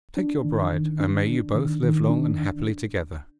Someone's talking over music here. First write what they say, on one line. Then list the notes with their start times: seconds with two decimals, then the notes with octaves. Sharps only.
Take your bride, and may you both live long and happily together!'
0.17 D4
0.45 D#3
0.72 D#3
1.00 D4
1.27 D4
1.55 D#3
1.83 D#3
2.10 D4